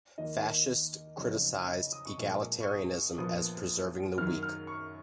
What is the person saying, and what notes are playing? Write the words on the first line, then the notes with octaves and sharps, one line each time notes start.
Fascists criticized egalitarianism as preserving the weak.
D#2 D#3 A#3 D#4 D#5
F2 C#3 F#3 B3 D#4 C#5
D#5
D#6
C#6
A#1 A#2 G#3
C#6
D#6
A#1 A#2 F3 B3 D#6
F#2 D#3 F#3 F6
F6
C#6